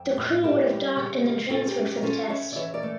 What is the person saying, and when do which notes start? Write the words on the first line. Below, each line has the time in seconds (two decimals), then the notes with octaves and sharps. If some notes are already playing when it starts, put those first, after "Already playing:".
The crew would have docked and then transferred for the test.
Already playing: F2 E5 G5
0.17 A2
0.43 E4 G4 A#4
0.71 G3
0.96 C#3
1.24 F4
1.49 C#4 F4 A4
1.68 G4 A#4
1.77 C#4
1.86 G4
1.97 A#4
2.03 C#4 F4 A4
2.29 C#4 C#5 E5
2.52 D5
2.56 E3 C#5 E5
2.74 A#4 D5
2.83 A3